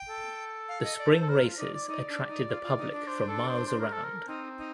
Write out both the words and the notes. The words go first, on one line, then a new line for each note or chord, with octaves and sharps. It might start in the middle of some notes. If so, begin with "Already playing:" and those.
The spring races attracted the public from miles around.
Already playing: G5
A4
F5
D#5
D5
C5
A4
A#4 C5
F4
D#4 D5
D5
D#4 D5
D4
D#4
F4
F4
D#4
D4
C5
A4
C5
C5
A#4
A4
A#4
C4 D#4
D#4